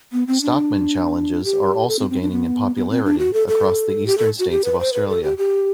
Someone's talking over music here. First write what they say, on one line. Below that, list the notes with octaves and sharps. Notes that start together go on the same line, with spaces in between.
Stockman challenges are also gaining in popularity across the eastern states of Australia.
B3
C4
D4
G4
A4
C4
C4
D4
B3
B3
C4
D4
F#4
A4
A4
G4
A4
F#4
G4
B4
C5
B4
A4
G4
G4